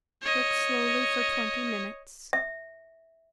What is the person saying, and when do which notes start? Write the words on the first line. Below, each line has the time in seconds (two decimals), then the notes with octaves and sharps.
Cook slowly for twenty minutes.
0.22 C#5 D#5
2.33 E5